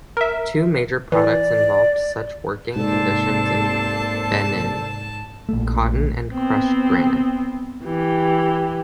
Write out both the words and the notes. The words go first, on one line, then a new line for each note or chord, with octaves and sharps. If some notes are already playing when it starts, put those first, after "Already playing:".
Two major products involved such working conditions in Benin: cotton and crushed granite.
A#4 E5
E3 D5
G#2 C3 A#3 A4 C5 D5 A5
A#1 A3
B3 C4
E3 G4